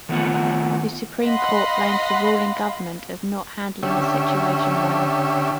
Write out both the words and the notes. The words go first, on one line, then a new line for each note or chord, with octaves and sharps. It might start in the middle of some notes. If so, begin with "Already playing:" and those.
The Supreme court blamed the ruling government of not handling the situation well.
D#3 F3 A3 B3 F4 F#5
D#5 F5 F#5 B5 C6
D3 C#4 G4 E5